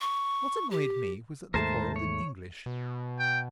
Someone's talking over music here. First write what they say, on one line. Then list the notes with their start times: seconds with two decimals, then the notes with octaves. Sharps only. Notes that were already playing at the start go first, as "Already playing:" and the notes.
What annoyed me was that they quarrelled in English.
0.01 C#6
0.71 G4
1.54 D#2 G#2 A3 A#4 C5 A5
1.96 C#5
2.66 B2
3.19 G5